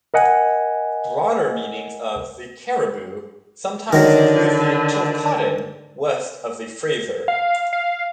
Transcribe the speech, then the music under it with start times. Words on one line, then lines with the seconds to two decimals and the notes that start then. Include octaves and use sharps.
Broader meanings of "the Cariboo" sometimes include the Chilcotin, west of the Fraser.
0.14 A#4 D#5 F#5 G#5
3.93 D3 D#3 F#3
7.28 F5
7.73 F5